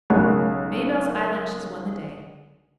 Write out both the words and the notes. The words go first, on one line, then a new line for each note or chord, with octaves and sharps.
Maybelle's eyelashes won the day.
B1 C#3 G#3 A#4 C#5 F#5